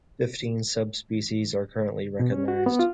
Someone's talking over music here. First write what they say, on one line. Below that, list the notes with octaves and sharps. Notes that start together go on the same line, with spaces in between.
Fifteen subspecies are currently recognised.
B2
C#4
F#4
B3
F4